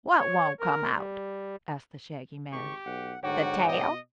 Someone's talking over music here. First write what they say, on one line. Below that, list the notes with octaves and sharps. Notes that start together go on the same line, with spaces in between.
"What won't come out?" asked the Shaggy Man; "the tail?"
C#5
A#4
G3
G#1 G4 C#6
B1 F#5
G#2 D3 F#4 C#5 F#5 G5 D6
B2 D#5